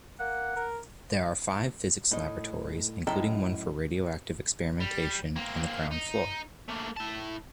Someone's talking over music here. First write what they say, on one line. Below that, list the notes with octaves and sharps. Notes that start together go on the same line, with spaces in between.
There are five physics laboratories, including one for radioactive experimentation, on the ground floor.
A#3 F#5
A#4
A2 D#4
F#2 A2 D#4 A4 G5 A#5
G3
A#3 C4
D#4
A3 A#3
E4 A5